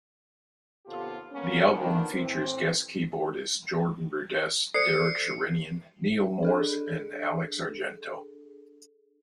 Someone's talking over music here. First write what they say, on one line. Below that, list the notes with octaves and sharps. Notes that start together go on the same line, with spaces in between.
The album features guest keyboardists Jordan Rudess, Derek Sherinian, Neal Morse, and Alex Argento.
D#2 C3 B3 F4 G4 A4
G3 A#3 B3 C#4
D3 D#3 F3 A#3 B3 D4
A2 E3 C4
A4 C5 D5 C7 C#7
D4 G#4 A4